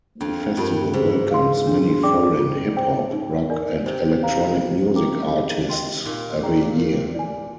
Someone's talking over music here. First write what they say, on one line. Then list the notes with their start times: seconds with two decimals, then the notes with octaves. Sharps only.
The festival welcomes many foreign hip-hop, rock and electronic music artists every year.
0.21 F2 D4
0.57 G2 F4 A#4
0.94 G#2 C5
1.31 F5 C6
1.67 D4
2.03 G#4 D5 G5 D6
2.39 F4
2.77 C5 G5
3.13 D#4
3.50 A#4 D5 G#5
3.86 C3 C5
4.23 F5 A#5
4.60 C5
4.96 G5 A#5 D6
5.32 G#4
5.69 D#5 G5 C6
6.05 A#2 D#4
6.42 G#4 D5 G5 A#5
6.78 A#4
7.15 D5 G#5